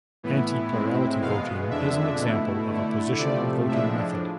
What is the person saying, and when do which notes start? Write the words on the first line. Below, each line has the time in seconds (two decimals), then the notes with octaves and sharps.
Anti-plurality voting is an example of a positional voting method.
0.23 A2 E3 B3 E4
0.72 A2 G#3 C4 E4
1.21 E2 B2 G#3 B3 F5
1.71 F2 D3 G#3 D4 E5
2.21 B2 A3 E4
2.70 D3 A3 E4
3.19 C3 F3 A3 D5
3.68 A2 F3 G#3 D4 E5